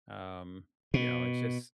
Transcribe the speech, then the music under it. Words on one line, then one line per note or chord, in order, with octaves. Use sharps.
um, you know, it's just,
B2